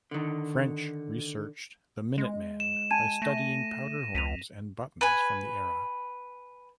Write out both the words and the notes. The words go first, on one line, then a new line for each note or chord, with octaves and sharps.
French researched "The Minute Man" by studying powder horns and buttons from the era.
D3 D#3
G#3
E7
G#5 A5 G#6 D#7
A3 A#6
C#2 B6 D#7 F7
B4 G#5